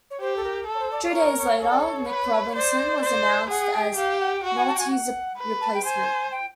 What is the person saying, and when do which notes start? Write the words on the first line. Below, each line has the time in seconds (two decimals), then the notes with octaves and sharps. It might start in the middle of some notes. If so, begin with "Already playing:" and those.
Two days later, Nick Robinson was announced as Naughtie's replacement.
0.10 C#5
0.20 G4 C5
0.36 A4
0.44 A#4
0.67 A4
0.74 C#5
0.79 C5
0.91 D5
1.03 C#5
1.09 D5
1.14 A#4 C#5
1.38 C#5
1.61 A4 C#5
1.70 D5
1.80 C#5
2.09 B4
2.48 C#5
2.55 C5 D5
3.02 C5
3.50 G#4 F#5
3.73 G5
3.97 G4 F5
4.20 F#5
4.36 G5
4.43 F#4 F#5
4.56 G#5
4.67 A5
4.74 G5
4.79 G#5
4.90 F#5
5.38 B4
5.61 A5
5.74 G5
5.85 C5 G#5
6.31 G5